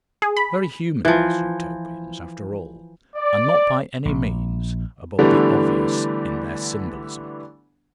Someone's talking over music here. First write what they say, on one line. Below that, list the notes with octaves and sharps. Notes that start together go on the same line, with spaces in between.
Very human these Utopians, after all, and not by any means above the obvious in their symbolism!
G#4
B5
E3 F3
D5
A#1
D3 E3 G3 A3 B3 D4